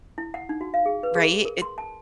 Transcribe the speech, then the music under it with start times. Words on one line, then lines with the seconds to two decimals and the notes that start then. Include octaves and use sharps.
Right, it
0.18 E4
0.34 F#5
0.49 D#4
0.61 F#4
0.74 F5
0.86 G#4
1.03 B4
1.15 G#4
1.32 G#4
1.45 A#4
1.62 C6
1.78 A5